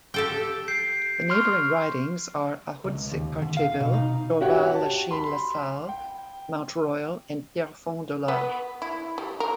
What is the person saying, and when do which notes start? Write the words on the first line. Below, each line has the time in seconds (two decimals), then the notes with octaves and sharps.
The neighbouring ridings are Ahuntsic-Cartierville, Dorval-Lachine-LaSalle, Mount Royal and Pierrefonds-Dollard.
0.14 G4 A4 G5
0.68 G6 C7 D7
1.30 C6 C#6 F6
2.84 C#2
3.11 D#2
3.42 D3
3.57 F5
3.80 B2
3.94 D#4
4.41 F#4 G4 C#5 F#5 G5
4.75 A5
5.11 B5 C6
5.89 G5
8.28 B3
8.82 E4
9.18 G3
9.40 A#4